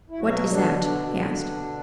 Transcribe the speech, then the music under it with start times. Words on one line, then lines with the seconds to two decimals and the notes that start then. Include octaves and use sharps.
"What is that?" he asked.
0.10 E4
0.20 B2 F#3 F#4
0.49 B2 D3 D4
0.78 B2 D3 D4
1.07 B2
1.37 B2
1.65 B2